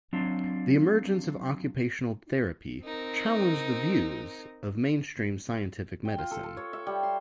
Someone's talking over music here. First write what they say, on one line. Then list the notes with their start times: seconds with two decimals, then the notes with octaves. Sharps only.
The emergence of occupational therapy challenged the views of mainstream scientific medicine.
0.13 F#3 C4 D4 F4
2.83 C4 D#4 A#4
6.05 G5
6.18 F4
6.31 A4
6.44 A4
6.57 C#5
6.73 E5
6.87 G3
7.03 C6